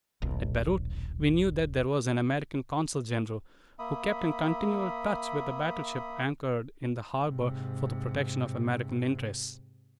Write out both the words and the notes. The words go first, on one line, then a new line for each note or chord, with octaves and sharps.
At Beirut we knew that there was an American Consul-General, who kept in continual touch with the battleship anchored in the harbor for the protection of American interests.
D#1 B1
A#3 E5 B5 D#6
G#2 C3